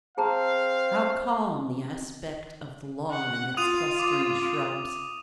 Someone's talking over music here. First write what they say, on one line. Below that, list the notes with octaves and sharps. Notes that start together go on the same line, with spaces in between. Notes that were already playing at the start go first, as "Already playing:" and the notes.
How calm the aspect of the lawn and its clustering shrubs.
C4 G#4 F5 A5 A#5
F#5
F4 D#6 D#7 F7
D6